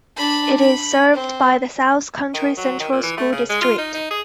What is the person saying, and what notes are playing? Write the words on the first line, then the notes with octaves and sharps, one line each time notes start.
It is served by the South Country Central School District.
D4 B5
B5
C4
D#3
F#3
D#3
A#2
E3
A3
C#3
G#3
F4
D#4
D#4
G#4